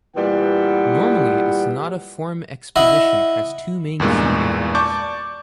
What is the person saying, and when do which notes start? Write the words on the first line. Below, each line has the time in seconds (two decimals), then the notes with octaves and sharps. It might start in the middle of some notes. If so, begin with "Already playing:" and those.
Normally, a sonata form exposition has two main key areas.
0.16 A#2 E3 G3 B3 F#5
2.76 E4 D#5 F#5
4.00 E2 G2 A#2 G#3
4.75 D5 A5 C#6 D6 G6